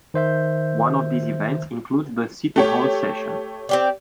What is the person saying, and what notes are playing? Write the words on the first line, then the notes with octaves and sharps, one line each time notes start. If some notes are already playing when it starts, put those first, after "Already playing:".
One of these events includes the City Hall Session.
D#3 C5 E5 G6
A3 G4 C#5
C4 G4 D5